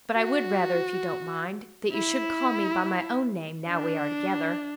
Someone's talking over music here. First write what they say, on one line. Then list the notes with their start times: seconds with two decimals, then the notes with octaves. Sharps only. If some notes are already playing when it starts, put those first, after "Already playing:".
But I would rather, if you don't mind, that you should call me by my own name now we are together.
0.15 F#4
1.92 E4
3.68 D4